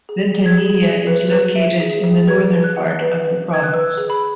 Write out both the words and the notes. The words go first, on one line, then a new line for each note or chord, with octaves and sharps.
Ventanilla is located in the northern part of the province.
G#4
G#4
G#6
G#4
G#4
B4
B4
E5
G#4
G#4
B4 G#6
B4
F#6
F#5
B4
B4
B4 G#6
F#6
B4 E6
G#4
B5